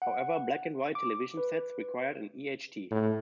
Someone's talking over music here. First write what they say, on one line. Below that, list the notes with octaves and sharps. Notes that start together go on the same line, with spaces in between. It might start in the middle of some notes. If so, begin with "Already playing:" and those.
However, black and white television sets required an e.h.t.
F#5
D6
B4
A2